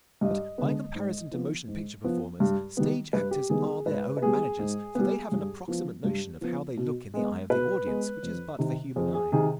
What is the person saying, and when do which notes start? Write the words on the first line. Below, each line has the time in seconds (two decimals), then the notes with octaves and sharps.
But by comparison to motion picture performers, stage-actors are their own managers, for they have an approximate notion of how they look in the eye of the audience, which is but the human eye.
0.21 G2 D#5
0.58 D3 G#3 B3
0.95 G#2
1.31 F3 B3
1.67 G#2
2.04 F3 B3
2.40 G2
2.77 D#3 G3 B3
3.13 G2 B4
3.31 G4
3.50 D#3 G3 B3 G#4
3.67 G#4
3.86 G#2 B4
4.17 B4
4.22 G3 B3 G#4
4.59 G#2
4.95 G3 B3
5.32 G2
5.68 F3 B3
6.04 G2
6.41 F3 B3
6.77 B2
7.14 G#3 B3
7.50 B2 B4
7.86 G#3 B3
8.23 F2
8.59 C3 D#3
8.96 F2 G#4
9.14 G#4
9.32 C3 D#3 G#4